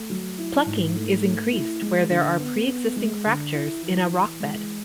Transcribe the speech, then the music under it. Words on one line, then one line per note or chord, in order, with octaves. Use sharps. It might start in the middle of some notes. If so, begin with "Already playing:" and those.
Plucking is increased where there are preexisting fractures in a rock bed.
Already playing: A3
F#3
E4
G#2
A3
A3
E4
G#3
D3
B3
B3
G#3
D3
E4
E3
E3
G#3